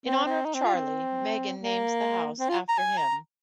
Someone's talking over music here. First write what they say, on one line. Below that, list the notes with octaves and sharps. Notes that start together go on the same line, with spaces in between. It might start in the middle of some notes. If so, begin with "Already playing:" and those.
In honor of Charlie, Meghan names the house after him.
C4
C4
D#4
C4
F4
C4
A#3
C4
F4
A#5
G#5
A#5